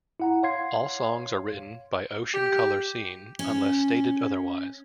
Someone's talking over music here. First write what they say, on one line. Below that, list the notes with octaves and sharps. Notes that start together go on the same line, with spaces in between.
All songs are written by Ocean Colour Scene, unless stated otherwise.
E4 F#5 A#5
C#5 F5 C6 G#6 C7
G4
C#4